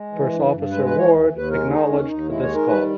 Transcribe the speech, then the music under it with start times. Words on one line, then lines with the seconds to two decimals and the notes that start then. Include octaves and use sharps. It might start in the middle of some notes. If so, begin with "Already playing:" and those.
First Officer Ward acknowledged this call.
Already playing: G#3
0.13 E3
0.32 G2
0.52 G2
0.71 G#3 B4
0.85 B4
0.91 E3
0.98 C#5
1.11 D#2
1.30 D#2
1.37 B4
1.50 G#3 A#4
1.69 D#3 D#4
1.89 D#2 C#4
2.08 D#2 D#4
2.28 G#3 E4
2.42 C#5
2.48 D#3
2.55 A#4
2.68 G3 B4